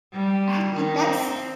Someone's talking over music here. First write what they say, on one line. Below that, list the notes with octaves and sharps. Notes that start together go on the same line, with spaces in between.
I'm like "That's
G3
D#3
C4